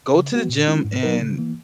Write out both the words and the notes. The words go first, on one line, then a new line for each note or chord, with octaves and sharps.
"Go to the gym and
C#3
G#3 B3 F#4
A#2
G#3 C#4 E4
G#2
F#3 B3 D#4 A#4
C#3
E3 A#3